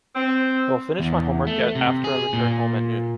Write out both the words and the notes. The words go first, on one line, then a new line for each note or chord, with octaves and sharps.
I will finish my homework after I return home at noon.
C4
E2
A3
C3
G#4
A#2